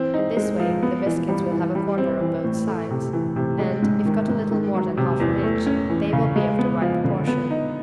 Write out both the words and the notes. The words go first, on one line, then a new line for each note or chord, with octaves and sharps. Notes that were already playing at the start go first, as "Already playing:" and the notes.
In this way the biscuits will have a corner on both sides and, if cut a little more than half an inch, they will be of the right proportion.
Already playing: E3 C4
D#4
G#3
F3
B3
E3
G3
E3
G3
C4
E3
A2
A3
C3
E3
C3
G#3
G#2
D#3
G#2
D#3
F#3
C3
E2
A3
C#4
E3
C#3
G#3
B3
F3
D3
B3
D#4